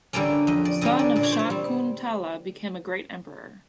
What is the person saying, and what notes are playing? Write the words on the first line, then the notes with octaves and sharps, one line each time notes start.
Son of Shakuntala became a great emperor.
D3 G3 A#3 C#4 D5
F2 D#5
D5
D3 G3 A#3 C#4 D#5
D5
A#2 D5
C#5
C5
C#5
G3 C4